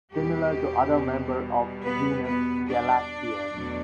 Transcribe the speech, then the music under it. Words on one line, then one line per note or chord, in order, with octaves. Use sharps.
Similar to other member of genus "Galaxias".
E2 B2 G3 G4
B3 B4
B3 B4
D4 D5
E2 B2 F#3 A3